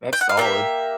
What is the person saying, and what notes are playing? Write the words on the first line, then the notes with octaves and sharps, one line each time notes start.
that's solid.
G5
F#5
F5
A#3 D4 G4 E5